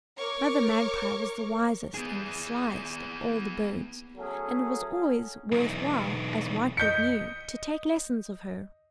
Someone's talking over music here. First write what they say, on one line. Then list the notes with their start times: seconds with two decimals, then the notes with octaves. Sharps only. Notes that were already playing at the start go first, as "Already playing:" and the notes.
Mother Magpie was the wisest and the slyest of all the birds, and it was always worth while, as Whitebird knew, to take lessons of her.
0.19 A#4 C#5 C#6 D6 F6
1.94 B3 G#4
4.17 F#3 A3 C#4 G#4 A4
5.52 B1 E2
6.77 D#5 G6 B6 C#7